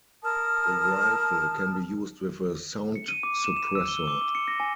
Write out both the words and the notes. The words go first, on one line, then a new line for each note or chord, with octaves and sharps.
The rifle can be used with a sound suppressor.
A#4 A5 D#6 F6
C#7
D#7
D6
E7
E7
E6
G7
D6
D6
C#7
A#6
G#5